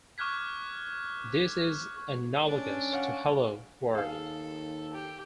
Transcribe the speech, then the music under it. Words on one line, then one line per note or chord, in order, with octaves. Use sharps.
This is analogous to Hello, World!
C#6 D6 F6 F#6 G#6 B6
C#4 D4
C#5 F5 F#5
D#2 G#4 A4 F5
G4